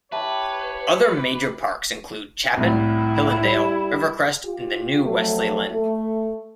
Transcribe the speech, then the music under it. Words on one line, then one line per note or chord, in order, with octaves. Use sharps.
Other major parks include Chapin, Hillendale, Rivercrest, and the new Wesley Lynn.
E4 G4 B4 C#5 E5 A5
C2 A2 E4
G3
F4 G4
F2 F#3 A3
A3